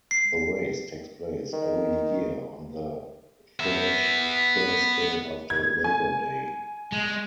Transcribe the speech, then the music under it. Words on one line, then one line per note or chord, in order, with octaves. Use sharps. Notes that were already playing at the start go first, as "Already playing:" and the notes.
The race takes place every year on the third Thursday after Labor Day.
C7
D#3
B3 E5
G#6
G#5
G#3